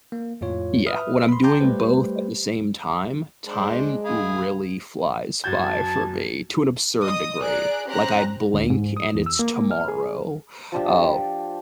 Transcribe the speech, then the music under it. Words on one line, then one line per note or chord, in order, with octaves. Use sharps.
Yeah, when I'm doing both at the same time, time really flies by for me to an absurd degree, like, I blink and it's tomorrow, uh,
A#3
F2 A2 F4 C#5
B4 E5 D#6 F6
B5 C6
G5 A5 A#5 C6 D6 G6
G3 A3 G4 B4 C5
G#3 D4 C5
G#4 F5 B5
F#2 F#4 A5 G6 G#6
D#5 D#6
G#4 D5 A#5 F#6 D7
C4 C#4 G4 A#5 F#6
D2
G#2
D#6
E2
E6
A#3
F6
G#4
F3 D4 G4